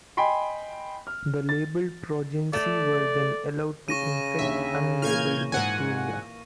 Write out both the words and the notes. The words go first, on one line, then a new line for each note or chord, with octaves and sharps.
The labeled progeny were then allowed to infect unlabeled bacteria.
D#5 G5 G#5 B5 C6
F6
A6
A3 D5
C#3 C#6 A#6 D#7
D#2 D3 E5
A#2 E3 A#3 F6 G6 G#6
G#2 F#5 G#5